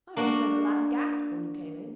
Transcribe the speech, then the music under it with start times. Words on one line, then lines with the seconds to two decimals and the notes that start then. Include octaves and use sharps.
I was just at the last gasp when you came in.
0.17 A#3 D4 F#4